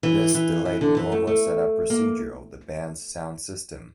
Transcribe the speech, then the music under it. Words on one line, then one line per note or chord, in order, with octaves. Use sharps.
This delayed the normal setup procedure of the band's sound system.
E3
E3
E3
D3
E3
A3
A3
A#3